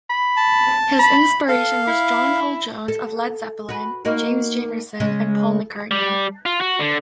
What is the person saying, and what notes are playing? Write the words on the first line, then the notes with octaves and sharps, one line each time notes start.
His inspiration was John Paul Jones of Led Zeppelin, James Jamerson, and Paul McCartney.
B5
A5
B5
A4 F5
E4
A4
F#4 B4
A#3 D#4 F#4
C#3 G#3
G3
F4
F#4
D3